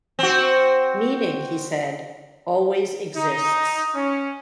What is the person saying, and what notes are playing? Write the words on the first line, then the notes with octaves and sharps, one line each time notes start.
Meaning, he said, always exists.
C4 F#4
D#4
C#4